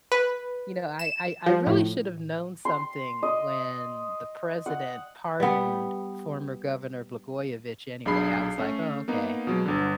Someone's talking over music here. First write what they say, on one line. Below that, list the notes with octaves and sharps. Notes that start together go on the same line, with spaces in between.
You know, I I I really should've known something when the president pardoned former governor Blagojevich anyway, I was like, "Oh okay."
B4
E7
F3
A2
C6
D#5
F#5
G3 B3
B1 D4 G#4 B5 C7
A3 C#4
A#3 B3 D#4
B2 F#3 G#3
G1 D3